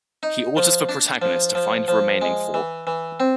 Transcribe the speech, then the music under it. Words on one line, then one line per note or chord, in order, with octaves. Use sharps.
He orders the protagonist to find the remaining four.
D#4
F3
D4
F3
F3
F3
G#3
E3
E3
C4